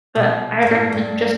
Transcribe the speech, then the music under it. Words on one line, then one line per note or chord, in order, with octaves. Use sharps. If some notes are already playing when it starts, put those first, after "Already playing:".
But I would recommend just
B2
G2
A2
G2